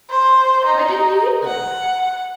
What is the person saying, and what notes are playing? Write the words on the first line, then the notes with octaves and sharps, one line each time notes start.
"Why didn't you eat them?"
C5
D#4
F#5